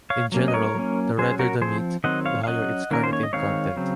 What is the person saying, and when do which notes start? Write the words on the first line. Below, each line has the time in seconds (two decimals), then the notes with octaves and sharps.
In general, the redder the meat, the higher its carnitine content.
0.10 C#5 F5
0.32 F#3 A#3 C#4
0.48 D#5
0.54 A#4 C#5
0.75 F#3 A#3 C#4
1.18 F#3 C#4 G#4 C5
1.39 F#4 A#4
1.61 F3 C4 G#4 C5
2.04 D#3 F#3 C4 D#5 F#5
2.25 C#5 F5
2.44 F5
2.47 F#3 C#4 D#5 F#5
2.91 D#3 A#3 C#4 A#4
3.04 C5
3.13 C#5
3.23 D#5
3.33 D#3 G#3 C4 C#5 F5
3.76 C#3 F#3 C4